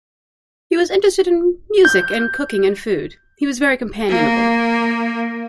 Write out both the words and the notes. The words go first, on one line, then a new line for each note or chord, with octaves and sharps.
He was interested in music and cooking and food, he was very companionable.
G6
A#3